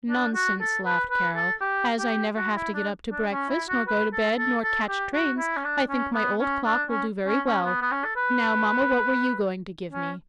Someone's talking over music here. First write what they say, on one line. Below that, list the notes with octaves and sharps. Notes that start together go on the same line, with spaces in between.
"Nonsense," laughed Carol; "as I never have to get up to breakfast, nor go to bed, nor catch trains, I think my old clock will do very well! Now, Mama, what were you going to give me?"
D4
F#4
A4
B4
B4
A4
G4
G4
F#4
E4
D4
D4
C#4
E4
F#4
B4
A4
A4
A4
G4
F#4
E4
C#4
D4
C#4
B3
C#4
D4
C#4
C#4
C#4
B3
B3
C#4
A4
B4
C#4